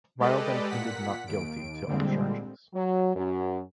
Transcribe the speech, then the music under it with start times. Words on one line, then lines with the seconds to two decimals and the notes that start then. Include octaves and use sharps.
Riel then pleaded not guilty to all charges.
0.20 G#3 G4 A4 B4 D5 D#5
0.69 A#2 F#5 B6
1.27 D#2 D7
1.86 A#2 D3 G3 G#3 C4
2.73 F#3
3.15 F#2